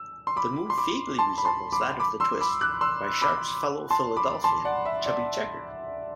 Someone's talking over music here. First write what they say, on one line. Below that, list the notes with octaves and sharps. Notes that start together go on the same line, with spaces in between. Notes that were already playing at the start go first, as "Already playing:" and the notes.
The move vaguely resembles that of the twist, by Sharp's fellow Philadelphian Chubby Checker.
Already playing: E6
C6
B5 D6
C6
B5 D6
A5 C6
B5
A5 C6
B5 D6
B5 D6
C6 E6
B5 D6
D6 F#6
C6 E6
B5 D6
A5 C6
B5 D6
A5 C6
D5 F#5
E5
D5